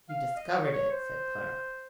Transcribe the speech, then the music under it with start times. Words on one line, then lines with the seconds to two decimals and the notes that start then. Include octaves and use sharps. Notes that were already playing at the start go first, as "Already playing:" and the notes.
"You discovered it!" said Clara.
0.09 F5
0.36 D#5
0.55 C#5
0.73 C#5
0.91 C5